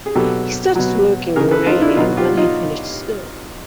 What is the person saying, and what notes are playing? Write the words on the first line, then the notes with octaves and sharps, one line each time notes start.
He started working in radio when he finished school.
G#4
B2 F#3 G4 A4
B2 F#3
C#3 E3 G#4 A#4
A4 B4
D#4 F4
D4 E4
B2 F#3 D#4 F4
F4 G4
D#4 F4